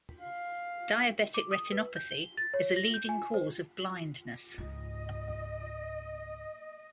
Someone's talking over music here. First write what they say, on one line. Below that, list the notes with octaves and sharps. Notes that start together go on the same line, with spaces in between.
Diabetic retinopathy is a leading cause of blindness.
F5
D6
D#6
B4
G6
G7
A6
C#5
A#6
G6
G#5
C5
C#2 G#2 D#5